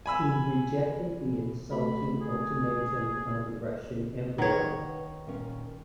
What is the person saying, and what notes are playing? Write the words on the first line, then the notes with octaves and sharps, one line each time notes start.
He rejected the insulting ultimatum of the Russian emperor.
G#5 B5 E6
A3 F#4 B5
G#4
D#3 B4 C#5 F#5
A#2 C#4